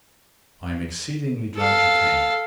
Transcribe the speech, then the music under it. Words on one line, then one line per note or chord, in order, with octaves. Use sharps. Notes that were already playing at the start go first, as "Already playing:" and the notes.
I am exceedingly glad you came.
A4 F5